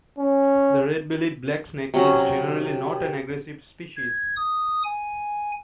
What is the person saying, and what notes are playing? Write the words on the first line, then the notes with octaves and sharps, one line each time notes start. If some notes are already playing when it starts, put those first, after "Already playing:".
The red-bellied black snake is generally not an aggressive species.
C#4
C3 F#3 C#4 A#5
G#6
D#6
G#5